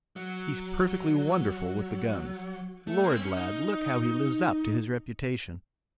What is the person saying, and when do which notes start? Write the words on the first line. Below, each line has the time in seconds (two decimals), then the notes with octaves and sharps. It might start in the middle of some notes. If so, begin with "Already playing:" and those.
He's perfectly wonderful with the guns! Lord, lad, look how he lives up to his reputation!
0.16 F#3
2.87 A3
3.04 A#3
3.13 C4
3.20 C#4
3.37 D#4